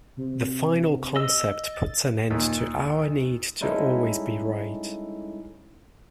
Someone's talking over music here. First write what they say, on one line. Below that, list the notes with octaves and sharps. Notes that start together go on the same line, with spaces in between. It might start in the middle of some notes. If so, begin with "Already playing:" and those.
The final concept puts an end to our need to always be right.
C3
D#5 E6
A6
D#2 A#2
G3 G#3 C#4 D#4 E4 A4